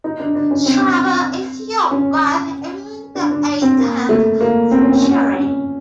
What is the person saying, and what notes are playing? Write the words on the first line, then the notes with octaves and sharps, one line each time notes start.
Trouble is you're both in the eighteenth century.
D#4
D4
D4
C#4
C4
C#4
D4
D4
C4
A#3
A3
A#3
C4
C#4
C4
C#4
C#4